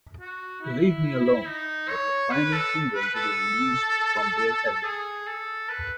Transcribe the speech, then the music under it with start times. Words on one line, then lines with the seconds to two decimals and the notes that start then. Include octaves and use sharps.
"Leave Me Alone" was the final single to be released from their album.
0.20 F#4
0.61 E4
1.47 D#4
1.89 C#5
2.31 B4
2.53 A4
2.94 B4
3.15 A4
4.84 G#4
5.27 A4
5.69 B4